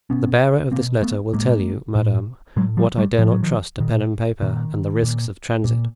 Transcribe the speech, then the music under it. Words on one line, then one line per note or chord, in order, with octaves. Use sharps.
The bearer of this letter will tell you, madame, what I dare not trust to pen and paper and the risks of transit.
B2 B3 C#4
B2 A#3 C4
A3 B3
A2 G#3 A#3
A2
A2 F#3 G#3
F3 G3
G3 A3
A2 F3
F#3
D#3 F3
A#2 D#3
A#2 D#3
A#2
A#2